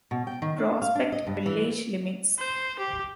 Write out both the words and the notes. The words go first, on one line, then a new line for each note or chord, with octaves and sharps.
Prospect village limits.
B2
G5
D#3
D4
F5
D4
D#5
G2
E3
C5
G4